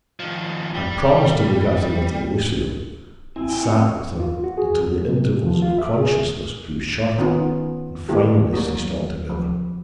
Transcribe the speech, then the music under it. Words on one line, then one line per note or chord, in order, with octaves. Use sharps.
I promised to look after little Lucien, and sat with her until the intervals of consciousness grew shorter and finally ceased altogether.
D#3 F3
G3
C4 E4 G#5
G5
C4 C#4
F4
F#4
G#4
F#3
C3
F3
F4
E5
G#4
D#3 B3 C#4 D#4 F4
D3 A#3 E4 G4 A4
F#3 A#3
F3